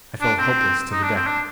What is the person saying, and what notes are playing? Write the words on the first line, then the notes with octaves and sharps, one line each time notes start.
I fell helpless to the deck.
D4
C4
D#4
D4
C4
D4